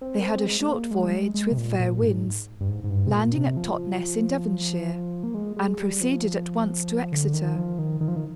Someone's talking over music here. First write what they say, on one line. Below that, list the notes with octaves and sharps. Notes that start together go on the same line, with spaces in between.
They had a short voyage with fair winds, landing at Totness, in Devonshire, and proceeded at once to Exeter.
C4
A#3
C4
G#3
G#3
A#3
G#3
G3
G#3
G#3
C3
A#2
A#2
G#2
G2
G#2
G#2
G2
C3
A#2
C3
F3
A#3
G#3
G#3
G3
F3
D3
D#3
F3
D#3
D#3
F3
D#3